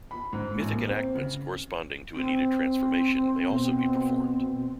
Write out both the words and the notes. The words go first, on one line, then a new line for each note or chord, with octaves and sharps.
Mythic enactments corresponding to a needed transformation may also be performed.
B5
G#2
A1
A#3
C4
C#3
C4
B2